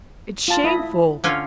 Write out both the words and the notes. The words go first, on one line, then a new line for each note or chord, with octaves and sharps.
It's shameful!
F4 A5
E4 D#5 B5
D3 C#4 F4